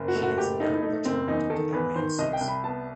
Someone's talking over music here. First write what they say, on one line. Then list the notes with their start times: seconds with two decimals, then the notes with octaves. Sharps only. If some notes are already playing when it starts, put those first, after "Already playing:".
She has not returned to Iran since.
Already playing: F#1
0.08 F#4
0.15 A3
0.23 F#4
0.38 F#1 G4
0.60 A3 D#4
0.74 E4
0.83 A3 D#4
1.05 F#1 C4
1.28 E2 D#4
1.50 D#3 A4
1.73 E2 B4
1.95 D#3 C5
2.18 C2 D#5
2.33 G5
2.41 C2
2.48 B5
2.64 B3 A5